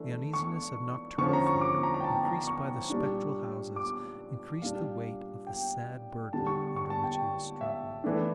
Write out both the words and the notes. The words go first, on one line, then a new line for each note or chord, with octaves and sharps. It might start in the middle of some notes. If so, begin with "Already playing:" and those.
The uneasiness of nocturnal fear, increased by the spectral houses, increased the weight of the sad burden under which he was struggling.
Already playing: E3 A3 D4
C#6
D3 F3 C#4 C#6
A#5
C#6
D6
A#5
A#5
G5
A5
A#5
C#6
A#2 G3 D4
D6
A#2 G3 D4 F5
G5
D3 G3 D4 A5
C#6
C#6
A5
G5
E5
E3 A3 D4